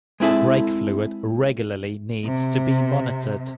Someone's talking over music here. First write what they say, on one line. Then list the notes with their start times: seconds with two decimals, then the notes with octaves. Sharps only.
Brake fluid regularly needs to be monitored.
0.20 G#3 C4 E4 G#4 A4
2.23 C3